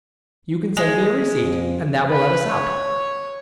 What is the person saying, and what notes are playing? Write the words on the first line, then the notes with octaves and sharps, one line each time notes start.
You can send me a receipt and that will let us out.
G#3
F2
B4
C#5